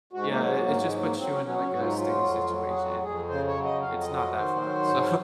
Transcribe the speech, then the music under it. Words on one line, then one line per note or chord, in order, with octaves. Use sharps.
yeah, i it just puts you into, like, a sticky situation and it's not that fun. So,
G#2 F#4
A#3
F#3
G#3
G#2 A#3
G#3
F#3
A#3
F#3 C4
C#4
F#3 C#4
C#4
G#2 F#4
F4
D#4
F#3 F4
F2
F#3
G#4
F2 F#4
F2 G#4
C#3 C5
C#5
F#3
D#5
F2 F5
D#5
F#3
D#5
D#3 C5
F#3
G#2